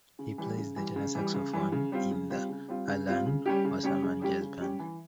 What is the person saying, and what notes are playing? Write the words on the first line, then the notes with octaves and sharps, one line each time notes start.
He plays the tenor saxophone in the Alan Wasserman Jazz Band.
C#3
E3 G3
C#3
E3 G3
C#3
E3 G3
C#3
E3 G3
C#3
G3 C4 F4
C#3
G3 C4 F4
C#3
G3 C4 F4
C#3
G3 C4 F4
C#3
G3 C#4 G4
C#3
G3 C#4 G4
C#3
G3 C#4 G4
C#3
G3 C#4 G4
E3